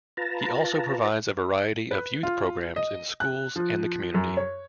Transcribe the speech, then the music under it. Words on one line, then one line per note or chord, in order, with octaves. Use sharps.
He also provides a variety of youth programs in schools and the community.
F4 B4 A5 A#5
B4
F4
D#5
F#6
F3
F#2
C#5